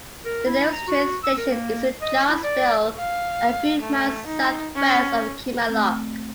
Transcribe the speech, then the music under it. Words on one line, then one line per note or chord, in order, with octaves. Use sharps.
The nearest train station is in Charleville, a few miles south west of Kilmallock.
A#4
E4
A#5
F#4
E6
A#4
A#3
D#5
E4
D5
F5
A3
D#4
C#4
A3 C4